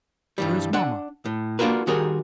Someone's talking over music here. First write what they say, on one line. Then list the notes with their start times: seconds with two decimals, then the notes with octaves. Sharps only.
Where's mama?'
0.38 G2 E3 G3
0.73 D4 F#5
1.25 A2
1.59 A#3 D4 F4 F#4 A#4 B4
1.87 D#3 G3 F#4 G#4 A#4 C5